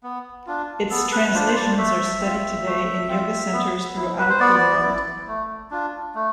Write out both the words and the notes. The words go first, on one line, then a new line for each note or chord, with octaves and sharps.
Its translations are studied today in Yoga Centers throughout the world.
B3
D4 F4
B3 A4
B4
D4 F4 C5
C5
D5
A3 E5
C4 F4
A3
C4 F4
B3
E4
B4
C5
B3 D5
E4
A3
D4 F4
A3